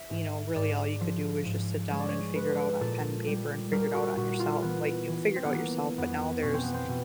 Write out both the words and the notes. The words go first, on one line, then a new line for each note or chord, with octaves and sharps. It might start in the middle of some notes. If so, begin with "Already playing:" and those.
you know, really all you could do was just sit down and figure it out on pen and paper and figure it out on yoursel like, you figure it out yourself, but now there's
Already playing: E5
G#2
G#2 D5
F3
G#2
G#3 C#5
D5
C#5
G#3 B4
A#2 A4
G3
G3 A#4
F#4
A#2 F#4
F4
E3 B3
E3
C4
B3
E3 A#3
F2 B3
B2 C#4
C4
B3
C4
B2